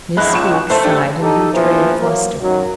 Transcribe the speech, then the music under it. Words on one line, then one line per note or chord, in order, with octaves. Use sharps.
Miss Weeks sighed and betrayed fluster.
G#3 E4 B5 F#6
C#2 C#6 E7
A3 C5 E5 A5
D4 G4
D#4 G4 A4
A#1 E2 E3 F3 C5
F#3 A#3
F#2 D#3 F#3